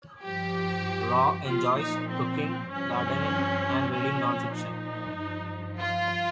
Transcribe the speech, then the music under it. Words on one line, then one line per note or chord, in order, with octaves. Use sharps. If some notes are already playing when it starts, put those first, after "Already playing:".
Rau enjoys cooking, gardening and reading non-fiction.
G2 F3 G4
A#2 F3 F4
D#4
C4
G2 F3 C#4
A#2 F3 C#4
D#4
G2 F3
F4